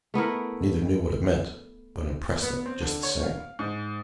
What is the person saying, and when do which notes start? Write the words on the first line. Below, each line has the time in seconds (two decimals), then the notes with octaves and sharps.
Neither knew what it meant, but impressed them just the same.
0.14 A3 B3 E4 A#4
2.42 B3
2.66 C4
2.81 D3
3.03 C#5
3.23 F5
3.59 G#2